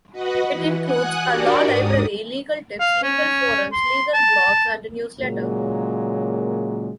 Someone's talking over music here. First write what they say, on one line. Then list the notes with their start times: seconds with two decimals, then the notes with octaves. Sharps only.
It includes a law library, legal tips, legal forums, legal blogs, and a newsletter.
0.12 F#4 B4 D#5 F#5
0.49 E3
0.82 F#5 G#5 D#6 F#6
1.24 D4 F#4 G4 A#4 D5
1.65 G#2 D#6
2.80 F5
3.03 C#4
3.73 C6
4.13 A5
5.20 A#2 C#3 F#3 G#3 A#3